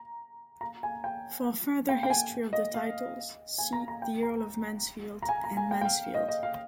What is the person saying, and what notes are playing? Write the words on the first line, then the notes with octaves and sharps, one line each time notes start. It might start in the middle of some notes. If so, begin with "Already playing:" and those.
For further history of the titles, see the Earl of Mansfield and Mansfield.
Already playing: A#5
A#5
G#5
G5
G5
G5
G#5
D#5
F5
G#5
A#5
A#5
G5
A#5
A#5
G#5
A#5
G#5
G5
G5
F5
D#5
D#5
F5